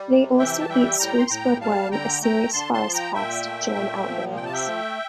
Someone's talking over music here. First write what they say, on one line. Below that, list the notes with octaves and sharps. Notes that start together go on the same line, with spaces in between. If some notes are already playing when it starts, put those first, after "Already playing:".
They also eat spruce budworm, a serious forest pest, during outbreaks.
Already playing: G3
C3
E3 E5 G5
A5
G3 E5 G5
A2 G5 A#5
C6
A2 G5 A#5
G3 F5 A5
D3 G5 A#5
A3 G5 A#5
D3 A5 C6
A5 C6
F3
G5 A#5
A#2 E5 G5
A3
A#2
F3
C3 G5
A5
E5 G5
A3